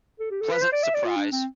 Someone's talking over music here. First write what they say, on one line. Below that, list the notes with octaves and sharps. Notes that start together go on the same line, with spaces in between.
Pleasant surprise!
A4
G4
A4
B4
C5
D5
E5
D5
F4
D4
C4